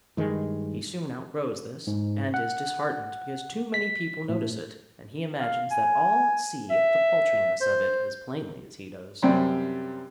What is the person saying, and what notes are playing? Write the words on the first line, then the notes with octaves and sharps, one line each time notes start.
He soon outgrows this, and is disheartened because too many people notice it, and he imagines that all see the paltriness of it as plainly as he does.
G2 D#3 G#3
G#2
F#5
B6
A2
F5
G#5
E5
C5
F#2 C3 G3 C4